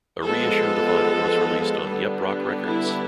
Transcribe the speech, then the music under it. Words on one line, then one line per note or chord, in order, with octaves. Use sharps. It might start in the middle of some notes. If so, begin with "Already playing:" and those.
A reissue of the vinyl was released on Yep Roc records.
F3 G#3 B3 A4
D3 G3 B3 D4
E4